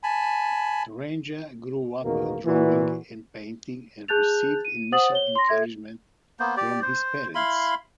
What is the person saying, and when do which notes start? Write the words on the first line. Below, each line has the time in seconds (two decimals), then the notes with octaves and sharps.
Ranger grew up drawing and painting and received initial encouragement from his parents.
0.03 G#5 A5 B5
2.03 A1 E2 B2 D#3 A#3 F#4
2.45 A#2 E3 F#4
4.08 G#4 A5 F#6 G6 A6 F7
4.65 D#7
4.92 C5 F#5 D#6 A6 F#7
5.12 C#5 G7
5.36 C6 A#6
5.49 A4 E5 G#6
6.40 A#3 B3 C5
6.57 G4 D5
6.82 C5
7.35 E4 F5 B5 C6